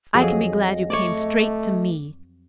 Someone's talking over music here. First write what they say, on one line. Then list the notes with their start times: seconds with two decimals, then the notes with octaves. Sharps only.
I can be glad you came straight to me.
0.15 F2 F#3 G#4 D#5
0.90 A3 C#5 D5